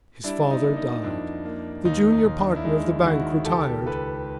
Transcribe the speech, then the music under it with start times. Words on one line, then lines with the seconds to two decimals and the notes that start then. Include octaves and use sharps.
His father died; the junior partner of the bank retired.
0.24 G3 D4 E4
0.51 D#4
0.64 A#3
0.77 D#4
1.04 F2 D4
1.45 A#3
1.85 D#2 D#4
2.12 D#4
2.25 D#2
2.39 D4
2.56 E4
2.65 G#3 D#4
3.06 D#3 E4 F#4
3.45 C#2 G4 A4
3.86 C#2 A4 B4